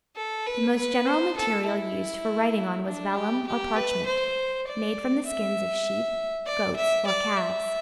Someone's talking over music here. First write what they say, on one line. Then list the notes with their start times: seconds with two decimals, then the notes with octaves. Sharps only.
The most general material used for writing on was vellum or parchment, made from the skins of sheep, goats, or calves.
0.16 A4
0.46 B4
0.76 B4
1.06 C5
1.37 A4
1.66 E4
2.86 D4
3.16 G4
3.47 G4
3.76 B4
4.06 C5
4.67 D5
5.26 E5
6.46 D5
6.76 E5
7.07 D5
7.37 E5